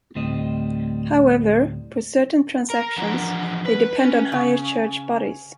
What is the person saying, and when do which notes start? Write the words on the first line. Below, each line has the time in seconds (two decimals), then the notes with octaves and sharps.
However, for certain transactions they depend on higher church bodies.
0.15 D2 A2 G3 C4 D#5
2.70 A#4
2.97 E3 F3 D4 F#5 A#5
3.66 B4
3.99 C#4
4.32 C#3